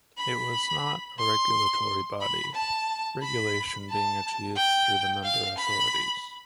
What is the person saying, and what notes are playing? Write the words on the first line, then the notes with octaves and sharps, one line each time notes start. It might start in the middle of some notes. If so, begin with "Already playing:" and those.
It was not a regulatory body, regulation being achieved through the member authorities.
B5
C6
B5
A5
B5
A5
G5
F5
B5